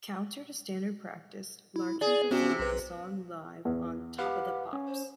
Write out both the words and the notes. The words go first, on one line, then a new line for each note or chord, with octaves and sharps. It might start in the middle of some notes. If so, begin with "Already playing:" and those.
Counter to standard practice, Larkin performed the song live on "Top of the Pops".
E4
G#4 D5
C3 B3 C#4 F#4
B1 B4
E2
G4 B4 F5 F#5
C#4
C5